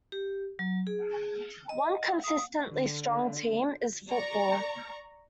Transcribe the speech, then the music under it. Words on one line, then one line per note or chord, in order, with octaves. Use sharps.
One consistently strong team is football.
G4
F#3
G#4
D#5
D#6
D3
D5 A#5 C#6